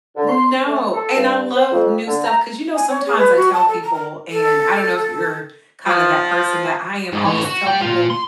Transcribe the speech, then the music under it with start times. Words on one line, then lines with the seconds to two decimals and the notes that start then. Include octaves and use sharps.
no, and I love new stuff 'cause, you know, sometimes I tell people, and I don't know if you're kinda that person, but I am always tell people
0.16 D3
0.29 C6
0.52 C5
0.66 A3
0.94 A4
1.15 G2
1.56 C5
1.71 F2
2.07 D3
2.24 A#5
2.75 G#5
2.90 C#5
3.06 G#4
3.18 B4
3.36 F#4
3.53 A5
3.68 A4
3.83 A#5
3.94 A#4
4.30 A4
5.85 F3
7.12 G#2
7.25 E3 C#5
7.45 F#4
7.66 G3 G5
7.82 A#2 F4
8.10 C6